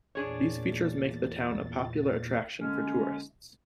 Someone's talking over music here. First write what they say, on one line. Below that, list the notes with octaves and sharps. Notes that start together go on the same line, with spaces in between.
These features make the town a popular attraction for tourists.
E2 A#2 D4 G#4 C#5 A6
D3 G#3 A#3 C#4